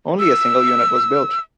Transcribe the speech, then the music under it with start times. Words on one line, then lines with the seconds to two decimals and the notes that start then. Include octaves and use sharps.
Only a single unit was built.
0.20 E6